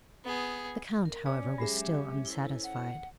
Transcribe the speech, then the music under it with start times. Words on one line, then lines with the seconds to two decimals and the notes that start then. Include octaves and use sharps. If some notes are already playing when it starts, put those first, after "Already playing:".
The Count, however, was still unsatisfied.
0.25 B3 G#4
1.05 A#4
1.26 C#4 D5 D6
1.58 F#3 G#3 G4 G#4 E5 B5
2.25 E4 A4 C5
2.64 F#5